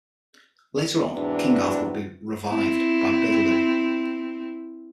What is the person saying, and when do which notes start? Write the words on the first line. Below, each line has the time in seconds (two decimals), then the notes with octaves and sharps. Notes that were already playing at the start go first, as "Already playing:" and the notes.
Later on, King Arthur would be 'revived' by Biddeloo.
1.12 E2 G#2 C3 D4 F#4 B4
2.49 C4 E4